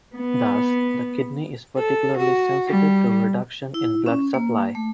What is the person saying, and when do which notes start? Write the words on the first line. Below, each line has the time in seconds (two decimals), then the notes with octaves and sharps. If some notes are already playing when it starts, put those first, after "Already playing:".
Thus, the kidney is particularly sensitive to reduction in blood supply.
0.17 B3
1.78 A4
2.18 F#4
2.67 G3
3.74 E4
4.06 C#4
4.34 A#3
4.75 A3